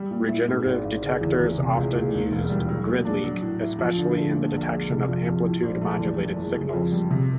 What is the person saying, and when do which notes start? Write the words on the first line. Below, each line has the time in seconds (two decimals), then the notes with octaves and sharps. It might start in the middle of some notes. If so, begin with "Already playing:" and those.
Regenerative detectors often used grid leak, especially in the detection of amplitude modulated signals.
Already playing: G3
0.11 A#2
0.29 E4
0.48 G#2
0.66 G#1
0.85 G#1
1.02 C#3
1.21 E2
1.40 E2
1.58 C3
1.77 C#2
1.95 C#2
2.14 D#2
2.32 E1
2.50 G3
2.69 F#3
2.87 A#2
3.05 D4
3.24 F#3
3.42 A2
3.60 E4
3.79 F3
3.98 D3
4.16 D3
4.34 A#2
4.53 A#1
4.71 G#3
4.89 C3
5.08 F2
5.26 F2
5.45 A2
5.63 A#1
5.81 A3
6.00 E2
6.19 F#1
6.37 G#3
6.55 C#3
6.73 F2
6.92 G3
7.11 C3